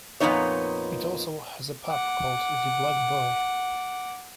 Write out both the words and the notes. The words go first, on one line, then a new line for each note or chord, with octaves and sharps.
It also has a pub called "The Black Boy".
F2 A#2 C#3 B3 D#4 C#5
F#5 D6